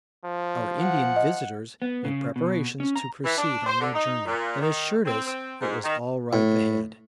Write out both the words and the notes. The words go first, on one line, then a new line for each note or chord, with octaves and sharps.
Our Indian visitors made preparations to proceed on their journey, and assured us it was all right ahead.
F3
F#5
D#5
B3
C#3
B2
C#4
A#5
E3
D4
C5
D3
D#4
A#2
D#3
C4
C4
G#2
D#3
A2